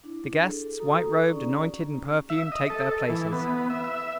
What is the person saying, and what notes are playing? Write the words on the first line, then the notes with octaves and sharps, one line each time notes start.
The guests, white-robed, anointed and perfumed, take their places.
D4 E4
G#4 A4
F#4 A4 A#5 D#6
C#4 D#4 G#4 D5 A#5 C#6
E5
D#5
A4
E3
B3
E5
E5